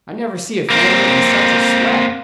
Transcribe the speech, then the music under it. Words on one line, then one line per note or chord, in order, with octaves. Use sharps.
I never see a family in such a sweat.
A#3 C4